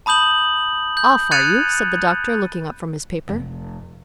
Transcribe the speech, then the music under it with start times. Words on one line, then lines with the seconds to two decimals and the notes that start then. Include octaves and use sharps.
"Off, are you?" said the doctor, looking up from his paper.
0.06 A5 B5 D#6 G6 F#7
0.97 G6
1.31 F#6 G#6 A6 C#7 D#7 F7
3.29 F1